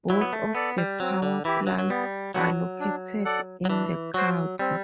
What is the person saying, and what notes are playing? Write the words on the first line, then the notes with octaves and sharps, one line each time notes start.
Both of the power plants are located in the county.
F#3 E4
B3
A3
B3 A4 D5
G3
F#3 C4
D3
E3 E4 G4
F#3
F#3
G3 B3
F#3 D4 F#4 B4 F#5
D4
A4 D5 F#5
F#3
E3 D4
F#3 F#4 C5
G3 C4